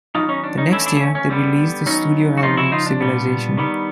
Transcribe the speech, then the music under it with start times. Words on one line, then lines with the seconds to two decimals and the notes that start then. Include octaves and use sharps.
The next year, they released the studio album "Civilization".
0.15 D#3 F#3 B3 D#4 F4
0.29 C#4 D#4
0.44 D4
0.58 C#4 D#4
0.72 E3 A3 C#4 D4 E4
0.86 D4 E4
1.01 C#4
1.15 C#4
1.29 D3 G3 B3
1.86 D#3 F#3 B3 C#4 D#4
2.38 F#4
2.43 C#3 F3 A#3 D#4 F4
2.57 E4 F#4
2.72 D#4 F4
2.86 D4
3.01 A#2 G3 B3
3.57 D#3 G3 B3